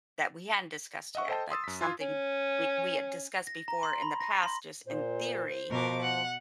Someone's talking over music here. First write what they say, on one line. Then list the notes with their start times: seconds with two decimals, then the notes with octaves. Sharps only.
that we hadn't discussed yet, but something we we had discussed before in the past just in theory.
1.15 D#5 E5 F#5 C#6
1.28 A4 C5 D#5 G5 A5
1.50 C6 D#6 E6 A6
1.64 F#2 B6
1.81 F4 C6 G#6
2.01 C#4
3.47 A#6
3.68 A#5
3.83 C6
4.02 B5
4.21 A#6
4.43 C6
4.86 A#2 C5
5.70 B2 F3 A#4 D6
6.03 F#5